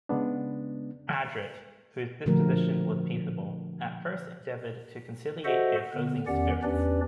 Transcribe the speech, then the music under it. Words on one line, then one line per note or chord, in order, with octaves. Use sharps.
Adret, whose disposition was peaceable, at first endeavored to conciliate the opposing spirits.
C#3 G#3 B3 D4
A#2 D3 F3 A3 F#4 A#4
F#4 A4 C5 D#5 E5 F#5
D3 B3
E2 D#3 C#4 G4 D5 F#5
E2 C#4 D4 G4 B4 D5